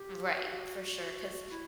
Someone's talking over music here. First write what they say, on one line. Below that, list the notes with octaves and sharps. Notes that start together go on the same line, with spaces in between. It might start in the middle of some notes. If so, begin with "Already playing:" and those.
Right. For sure, 'cause
Already playing: G4
F#4
E4